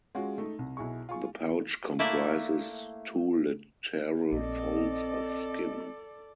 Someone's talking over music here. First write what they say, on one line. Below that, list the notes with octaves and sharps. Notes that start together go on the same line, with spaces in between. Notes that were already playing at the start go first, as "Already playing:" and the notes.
The pouch comprises two lateral folds of skin.
G#3 C#4 F4 F#4 C#5
A3 D#4
C2
B1 E4 G#4 C#6
F4 G#4 C#6
A3 A#3 E4 D5 E5
A#1 C4 A4 D5 D#5